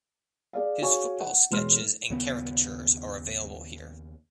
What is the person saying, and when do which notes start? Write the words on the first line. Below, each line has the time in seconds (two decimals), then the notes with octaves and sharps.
His football sketches and caricatures are available here.
0.53 G#4 D5 F5
0.81 F#4 G#4 C#5 F5 G#5 C#6
1.20 F#5
1.51 E1 G#3 B4 C6 F6
2.10 D#2 C#3 B3